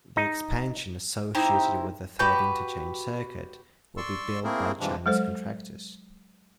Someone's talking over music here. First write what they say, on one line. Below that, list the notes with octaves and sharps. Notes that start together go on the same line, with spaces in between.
The expansion associated with the Third Interchange Circuit will be built by Chinese contractors.
D#4
C4 D#4 E4 G4
F#4 G4 B4 G6
D5 C6 C#6 E6
A3 A#3 C4 E4 G#4 A#4
G2 C3 E3 F3 G#3 D4
F#3 G#3 A4 C5